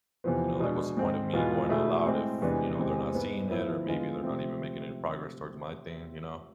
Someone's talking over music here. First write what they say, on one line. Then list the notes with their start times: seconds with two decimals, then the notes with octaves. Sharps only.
you know, like, what's the point of me going all out if, you know, they're not seeing it or maybe they're not even making any progress towards my thing, you know?
0.24 E2 C3 F3 B3
0.60 B2 G#3 D4
0.97 G#2 G#3 C4
1.33 E2 B2 G#3 B3 F4
1.69 B2 A3 E4 G#4
2.05 A2 G#3 C4
2.42 E2 C3 G#3 B3 D4
2.78 E2 C3 G#3 C4
3.14 G#2 G#3 B3
3.51 A2 F3 B3 E4
3.87 E2 D3 G#3 B3 F4
4.23 C3 F3 A3 C4